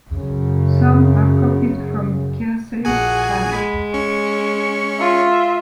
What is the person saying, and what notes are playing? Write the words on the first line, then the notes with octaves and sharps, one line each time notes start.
Some are copied from Keirsey's site.
F#2 C#3
A#1 F#4 G#4 F#5 G#5
G#3 B5
C#4 C#6
F4 E5